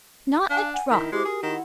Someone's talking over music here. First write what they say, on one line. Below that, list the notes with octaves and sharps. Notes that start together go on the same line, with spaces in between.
'Not a drop.
D4 F5 G#5 A5
F#5 G#5
D#3 E4 A#4 E5 G6 B6
G#3 E4 F#4 G4 C5 D6
G#4 A#4
D#3 E4 F4 F#5